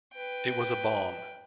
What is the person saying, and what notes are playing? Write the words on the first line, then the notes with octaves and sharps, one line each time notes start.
It was a bomb.
B4 G5